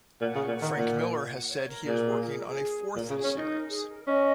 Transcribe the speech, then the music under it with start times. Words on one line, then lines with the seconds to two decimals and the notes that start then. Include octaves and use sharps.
Frank Miller has said he is working on a fourth series.
0.21 A#2 F#5
0.35 C#3
0.48 A#2
0.62 D#3
0.77 A#2
1.31 F#5
1.50 C#5
1.68 A#4
1.86 A#2 G#4
1.96 A#4
2.06 G#4
2.17 A#4
2.27 G#4
2.37 A#4
2.47 G#4
2.96 A#2 A#4
3.10 C#3
3.15 G#4
3.24 C#4
3.33 D#4 A#4
3.51 A#4
3.70 G#4
3.88 A#4
4.07 C#4 D#5